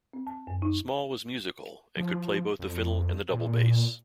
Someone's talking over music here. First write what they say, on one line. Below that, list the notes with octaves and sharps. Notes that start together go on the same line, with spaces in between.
Small was musical and could play both the fiddle and the double bass.
C4
A5
F#2
D#4
F3
F2
A#2